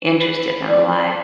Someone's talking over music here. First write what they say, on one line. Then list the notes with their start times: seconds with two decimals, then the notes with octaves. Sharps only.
interested and alive.
0.20 B4
0.68 D5